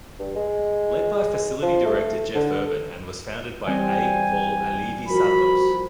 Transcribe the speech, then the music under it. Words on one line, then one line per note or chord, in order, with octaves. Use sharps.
Led by Facility Director Jeff Urban and was founded by A. Paul Alivisatos.
G2
G#3
F3
A3
D3
E3 G3 C4 G#5
F3 F#4 A#4 B5